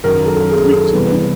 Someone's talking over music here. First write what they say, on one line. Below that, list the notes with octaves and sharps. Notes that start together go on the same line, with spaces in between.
what you think
F#2 D#3 F#3 A#4
A4
G#4
A4
E2 C3 E3 G3 B3 B4